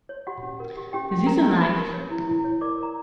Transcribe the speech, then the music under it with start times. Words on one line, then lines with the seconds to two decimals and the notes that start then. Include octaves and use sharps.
This is a knife!
0.09 C#5
0.27 F#4 G4 F#5
0.43 C#4
0.60 A#4
0.77 G4
0.93 C#4 G4 G5
1.11 C#4
1.27 A#4 A#5
1.44 G4
1.60 G4 B4 B5
1.77 A#4
1.93 C#5
2.10 E4
2.27 E4
2.44 C#5
2.61 A#4 D5 D6
2.78 A#4 A#5